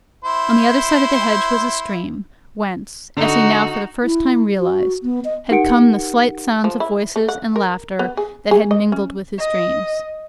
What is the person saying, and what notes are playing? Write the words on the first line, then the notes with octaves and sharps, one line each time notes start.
On the other side of the hedge was a stream, whence, as he now for the first time realized, had come the slight sounds of voices and laughter that had mingled with his dreams.
E4 C5
D3 D#4 F#4
E4
F#4
B3
D#5
D#4 G4 A#4 F#5 C#7 D7
F3
E4
A3
F#5
A#4
B3
G#4
G#4
D#5
C#4
D#5